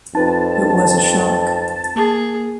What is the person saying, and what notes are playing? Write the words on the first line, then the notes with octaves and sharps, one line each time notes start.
It was a shock.
F2 D#4 B4 A5
A#3 G#4